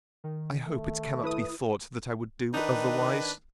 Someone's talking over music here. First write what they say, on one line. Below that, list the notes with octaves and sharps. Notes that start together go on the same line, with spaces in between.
I hope it cannot be thought that I would do otherwise.
D#3
A3
E4 B4 D#6
D#3 D4 D#4 B4